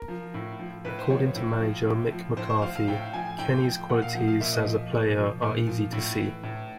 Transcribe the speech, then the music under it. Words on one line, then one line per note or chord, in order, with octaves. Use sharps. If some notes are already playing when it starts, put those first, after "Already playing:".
According to manager Mick McCarthy: Kenny's qualities as a player are easy to see.
Already playing: A#4
F3
A2
F3
A2 B4
C5
F3 C#5
A2
F3
A2
F3
A2 C5
C5
F3 F5
F5
A2 G5
F3 G#5
A2 G5
F3
A#2 F#5
F5
F3 F#5
F5
A#2 E5
D#5
F3
A#2
F3
A#2
F3
A2
E3
A2